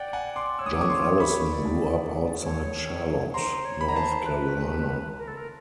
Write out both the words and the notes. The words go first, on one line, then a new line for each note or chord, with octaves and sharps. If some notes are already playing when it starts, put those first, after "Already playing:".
John Allison grew up outside Charlotte, North Carolina.
Already playing: D5 F#5 G5
F#5 G#5
C6 D6
C#5 E6
D#6
D6
C#6 D#6
C6 D6
B5 C#6
D5
C#5
C5 A#5 C6
C#5
B5
C#5 A#5
C5 A5 B5
B4
A#4
A4
A#4